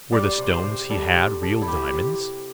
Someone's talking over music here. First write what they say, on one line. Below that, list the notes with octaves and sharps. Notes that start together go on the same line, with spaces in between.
Were the stones he had real diamonds?
G3 D5
C3
C5
C3
G3 A4
C3
C3 A4
E4
C3 G4
C3